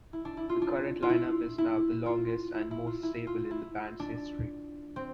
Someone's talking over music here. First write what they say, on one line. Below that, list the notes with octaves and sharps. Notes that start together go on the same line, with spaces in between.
The current lineup is now the longest and most stable in the band's history.
E4
D4
E4
F4
D4
F4
E4
E4
F4
E4
E4
F4
E4
F4
E4
D4
C4